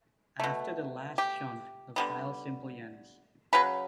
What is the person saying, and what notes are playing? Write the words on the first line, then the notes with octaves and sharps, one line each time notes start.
After the last chunk the file simply ends.
B2 A3
G4
D3 G3 B3
C#3 F#3 B4